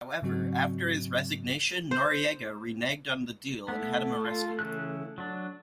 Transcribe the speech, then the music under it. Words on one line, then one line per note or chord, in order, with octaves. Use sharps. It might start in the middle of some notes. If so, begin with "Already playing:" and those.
However, after his resignation, Noriega reneged on the deal and had him arrested.
G#2 C#3 F#3 C4 F#4
C5
A3 B3 E4
F4
C#3 E3 F#6
F#3 D4